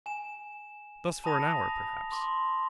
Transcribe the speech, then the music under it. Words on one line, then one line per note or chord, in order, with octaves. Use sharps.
Thus for an hour, perhaps.
G#5 E7
A5 B5 D#6 A#6 F7
C6 D6